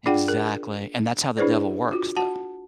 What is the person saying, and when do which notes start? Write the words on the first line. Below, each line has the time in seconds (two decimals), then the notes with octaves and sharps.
Exactly, and that's how the devil works though.
0.06 D4 F4 G#4 D5 F#5 G5
0.28 G#4 A#4
1.37 D4 E4 G#4 B4 C5 D5
1.92 F4 F#4
2.16 F#4 F#5 A5